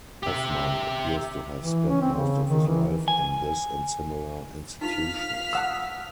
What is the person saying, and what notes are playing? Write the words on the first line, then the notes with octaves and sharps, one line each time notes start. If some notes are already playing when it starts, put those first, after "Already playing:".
Hofmann appears to have spent most of his life in this and similar institutions.
G4 E5
E3
C#4
C4
C#3
D#3
E3
G#5
D#4 F4 F5 F6 B6
F#5 A5 D#6 E6